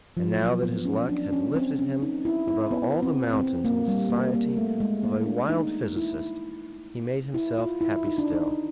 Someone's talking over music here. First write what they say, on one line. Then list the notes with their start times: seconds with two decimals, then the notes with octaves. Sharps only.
And now that his luck had lifted him above all the mountains in the society of a wild physicist, he made himself happy still.
0.17 F3
0.39 F#3
0.63 B3
0.85 C#4
1.09 D4
1.33 C#4
1.56 C4
1.79 C#4
2.02 D#4
2.25 E4
2.48 E4
2.71 B3
3.03 C4
3.33 C4
3.65 A#3
3.88 G3
4.10 A#3
4.34 A#3
4.57 A3
4.80 G#3
5.03 A#3
5.26 D4
5.50 D#4
5.96 E4
7.34 E4
7.58 F4
7.81 E4
8.05 D#4
8.18 D4
8.33 D#4